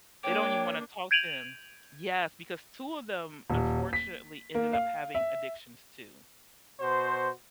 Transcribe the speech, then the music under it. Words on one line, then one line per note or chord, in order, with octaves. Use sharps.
they don't even want to talk to him. Yes. Because two of them unfortunately ended up having addictions too.
A#3 D4 C#5 G5 D6
G6 G#6 D7 D#7 F7 F#7
D#1
B6
A#3
F5
E5
B2 F#4 C5